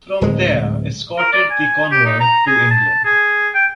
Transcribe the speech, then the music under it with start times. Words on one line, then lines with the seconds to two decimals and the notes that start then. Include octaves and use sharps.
From there escorted the convoy to England.
0.21 D1 G#3
1.18 A#4
1.33 D5
1.51 G#5
1.91 G4
2.05 D#4
2.20 A#5
2.47 G#4
2.71 A5
3.05 G#4
3.54 G5